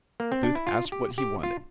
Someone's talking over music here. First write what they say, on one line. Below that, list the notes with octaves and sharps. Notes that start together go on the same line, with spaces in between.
Booth asked what he wanted!
A#3
C4
D4
E4
F4
G4
G4
F4